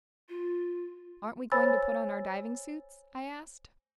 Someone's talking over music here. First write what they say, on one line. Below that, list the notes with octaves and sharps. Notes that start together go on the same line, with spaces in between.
"Aren't we going to put on our diving suits?" I asked.
F4
C5 C#5 G#5 B5 E6 A6